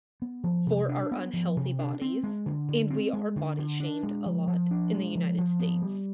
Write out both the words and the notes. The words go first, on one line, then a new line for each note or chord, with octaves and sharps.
for our unhealthy bodies, and we are body shamed a lot in the United States.
B3
F3
C3
D4
B3
F3
C3
D4
C4
G#3
D3
D3
C4
G#3
D3
D3
D4
G#3
F3
F3
D4
G#3
F3
F3
B3
G3